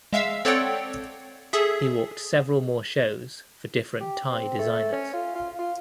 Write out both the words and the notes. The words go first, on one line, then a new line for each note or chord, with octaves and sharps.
He walked several more shows for different Thai designers.
G#3 E5 F5 E6
C4 A4 C#5 D5 F#5 G5
G#4 A4 E5
G4
C4
A3
C#4
F4
F4
F4